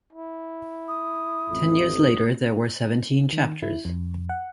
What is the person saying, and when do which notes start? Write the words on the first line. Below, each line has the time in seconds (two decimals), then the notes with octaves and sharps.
Ten years later, there were seventeen chapters.
0.12 E4
0.88 D#6
1.49 A1 F2
3.33 D#3
3.63 E4
3.85 F2
4.29 F#5